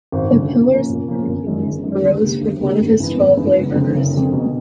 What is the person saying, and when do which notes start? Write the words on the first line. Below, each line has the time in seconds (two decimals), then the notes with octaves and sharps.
The pillars of Hercules arose from one of his twelve labours.
0.12 G#1
0.32 F#2 D3
0.51 A#2
0.70 F3 A#3 C#4
0.89 A#2
1.08 F3 A#3 C#4
1.27 G1
1.46 F#2 D#3 G#3
1.65 G1
1.84 F#2 D#3 G#3
2.03 D2
2.22 D3 G3 A#3
2.41 D2
2.60 D3 G3 A#3
2.80 G#1
2.99 G2 E3 G#3 B3
3.18 G#1
3.37 G2 E3 G#3 B3
3.56 F#1
3.75 F2 D3
3.95 F#1
4.13 F2 D3
4.33 B2